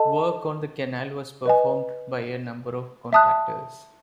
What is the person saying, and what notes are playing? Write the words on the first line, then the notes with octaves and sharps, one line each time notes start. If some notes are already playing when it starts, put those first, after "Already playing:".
Work on the canal was performed by a number of contractors.
Already playing: A4 D#5 A5
B4 D#5 G#5
E5 A5 D#6 F#6